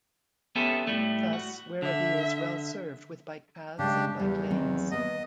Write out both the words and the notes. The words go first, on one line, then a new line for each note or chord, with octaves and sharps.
Thus Werribee is well served with bike paths and bike lanes.
B3 C#4 G4 A4 E5
A2 G3 A3
F#4
D3 E5
C#3 G#3 D4 G4
E2 G3
D#3 F#3 C4
A#3 B3 D#5